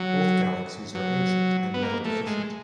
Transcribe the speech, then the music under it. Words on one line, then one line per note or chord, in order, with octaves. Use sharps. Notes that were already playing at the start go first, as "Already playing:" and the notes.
Both galaxies are ancient and metal-deficient.
Already playing: F#3
F#3
B3
A#3
A3
G#3